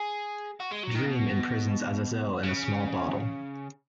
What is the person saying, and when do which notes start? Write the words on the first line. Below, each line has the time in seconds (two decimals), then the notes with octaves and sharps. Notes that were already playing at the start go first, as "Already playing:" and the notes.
Dream imprisons Azazel in a small bottle.
Already playing: G#4
0.60 F#4
0.71 G#3
0.83 F#3
0.95 D#3
1.05 B2
2.43 C#3